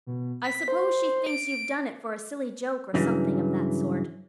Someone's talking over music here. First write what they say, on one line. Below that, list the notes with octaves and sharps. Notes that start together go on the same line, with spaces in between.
I suppose she thinks you've done it for a silly joke or something of that sort.
B2
B6
C5
D7
G2 C#3 E3 F#3